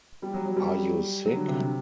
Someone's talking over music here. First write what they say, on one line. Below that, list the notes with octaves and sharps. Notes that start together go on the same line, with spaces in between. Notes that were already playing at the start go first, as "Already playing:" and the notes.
Are you sick?
G3
F#3
F#3
G3
F#3
D3
C3